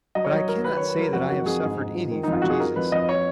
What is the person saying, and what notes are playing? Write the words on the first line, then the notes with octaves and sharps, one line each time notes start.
But I cannot say that I have suffered any for Jesus.
F#3 D#5
C#5
F#3 D#5
F#3 A#4
D#3 B4
D#3 C#5
B4
F#3 A#4
F2 F#4
D#3 F#4
F2 G#4
G#2
G#2
F3
D#3
F2 D#4
F4
F2 F#4
G#4
F3 A#4
F2 B4
F2 D#5
C#5